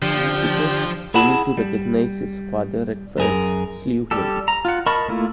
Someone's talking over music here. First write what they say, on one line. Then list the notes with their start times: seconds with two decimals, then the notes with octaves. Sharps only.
Leucippus, failing to recognize his father at first, slew him.
0.02 D3 F3 G4
1.14 E4 G#4 F#5 A5 B5
1.57 G3
3.18 F#2 G#4 A#4
4.11 G3 G4 A4
4.48 A#5
4.65 F4 F#5
4.86 A#4 D#5 A5 B5 C#6
5.08 A3 A#3 E4 F4